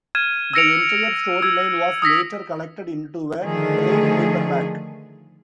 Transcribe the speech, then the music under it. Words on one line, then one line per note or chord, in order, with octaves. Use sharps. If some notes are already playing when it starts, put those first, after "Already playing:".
The entire storyline was later collected into a trade paperback.
F6 G#6 D#7 E7
E6 G#6 A#6 C#7 D7 F7
E6 G#6
D#6 E6 A#6 B6
D3 D#3 F3 A3 G#4